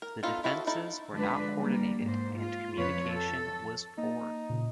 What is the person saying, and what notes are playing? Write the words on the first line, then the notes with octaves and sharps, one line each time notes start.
The defences were not coordinated and communication was poor.
A#4
B3 D#4 F4 A4
E4 F#4 A4 B4 D#5
D#4 E4 A4
D3 F3 G#3 D4 B4
G3 A#3
G#2 C5
F4
F2 F4 B4 C#5
A4
A#3 D#4
A#2 C#3